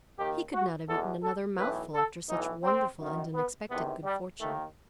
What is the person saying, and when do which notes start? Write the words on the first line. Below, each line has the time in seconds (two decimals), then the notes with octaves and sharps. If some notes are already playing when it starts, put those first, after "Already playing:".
He could not have eaten another mouthful after such wonderful and unexpected good fortune.
0.18 D#2 D#3 G4
0.54 F#4
0.89 E2 B2 A4
1.23 A4
1.59 B1 A2 E3 B4
1.94 A4
2.29 B1 A2 E3 D#4
2.64 C4
2.99 F#2 D#3
3.35 B3
3.70 E2 C3 D#3 B3
4.04 G3
4.40 D#2 D#3 A3